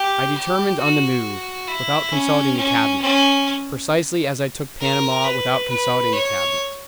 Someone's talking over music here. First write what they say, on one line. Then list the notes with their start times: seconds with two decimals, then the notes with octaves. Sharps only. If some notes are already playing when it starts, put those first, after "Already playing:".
I determined on the move without consulting the Cabinet, precisely as I took Panama without consulting the Cabinet.
Already playing: G4
0.35 G4
0.79 F#4
1.68 E4
2.12 C#4
2.56 C#4
3.01 C#4
4.80 A#4
5.24 B4
5.69 B4
6.13 C#5